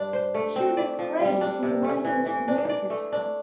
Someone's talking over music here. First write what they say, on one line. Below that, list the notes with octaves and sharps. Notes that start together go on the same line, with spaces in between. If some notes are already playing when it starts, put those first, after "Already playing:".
She was afraid He mightn’t notice her.
Already playing: G2 D4
C5
A3
C4
D5
F3
G3
D4
C3
A3
E3
E3
D4
D5
A3
D4